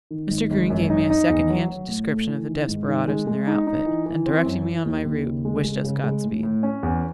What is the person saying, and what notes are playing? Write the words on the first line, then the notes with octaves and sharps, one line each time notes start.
Mr. Green gave me a second-handed description of the desperadoes and their outfit, and directing me on my route, wished us Godspeed.
D#3
G#1
G#1
F#2
D#4
D#4
E2
F#3
F#3
A2
A3
E3
D#3
G#2
D#3
G#3
G#3
D#4
D#4
E3
E3
C4
F#2
E3
D#2
D#2
C#3
G#3
G#3
C#3
G#3
A2
A2
C#4
E2